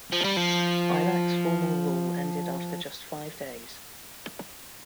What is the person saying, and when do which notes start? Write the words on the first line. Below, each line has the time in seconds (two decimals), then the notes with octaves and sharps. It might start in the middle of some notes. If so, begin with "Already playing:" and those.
Aybak's formal rule ended after just five days.
0.13 F3
0.24 G3
0.37 F3